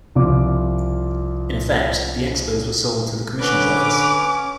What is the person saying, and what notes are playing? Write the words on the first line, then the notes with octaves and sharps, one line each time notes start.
In effect, the Expos were sold to the commissioner's office.
C2 F3 F4 D6
D3 C#4 B4 D6